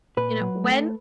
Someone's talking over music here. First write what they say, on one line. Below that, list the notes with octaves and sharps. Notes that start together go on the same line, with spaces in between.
you know, when
A#2 B4
F#3
A3